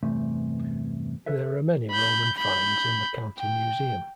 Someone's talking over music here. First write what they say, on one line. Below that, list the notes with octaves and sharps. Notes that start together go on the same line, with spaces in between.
There are many Roman finds in the County Museum.
E2 G2 C3 A3
A4 B4 E5
B5 G6
B5 G6
G5